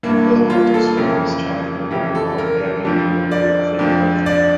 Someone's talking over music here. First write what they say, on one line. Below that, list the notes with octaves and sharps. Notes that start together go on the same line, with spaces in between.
Perlmutter spent his childhood in the Mount Airy neighborhood of Philadelphia.
G2 E3 A#3
F4
A4
F2 C#3 E3 A#4
F2 C#3 E3 G4
A4
A#4
F2 D3 F3
D5
F2 D3 F3
D5